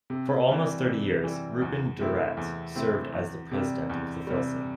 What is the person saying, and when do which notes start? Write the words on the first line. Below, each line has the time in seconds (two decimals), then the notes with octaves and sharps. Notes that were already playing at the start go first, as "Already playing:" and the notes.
For almost thirty years, Reuben Durrett served as the president of the Filson.
0.10 C3
0.48 E3 G3
0.86 C3
1.24 E3 G3
1.62 E2
2.00 C3 A3 C4 E4
2.37 E2
2.75 C3 A3 C4 E4
3.13 E2
3.51 C3 G3
3.90 E2
4.27 C3 G3